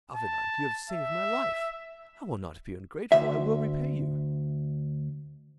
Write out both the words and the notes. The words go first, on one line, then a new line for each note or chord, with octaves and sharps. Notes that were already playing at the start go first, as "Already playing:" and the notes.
"Avenant you have saved my life, I will not be ungrateful, I will repay you."
A5
E5
D2 E5